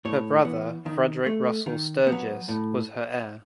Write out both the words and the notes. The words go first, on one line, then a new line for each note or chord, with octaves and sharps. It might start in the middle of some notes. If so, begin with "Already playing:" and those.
Her brother Frederick Russell Sturgis was her heir.
A2 C#5
E3 B3
D#3
A3
D#3
B3
F#3
A2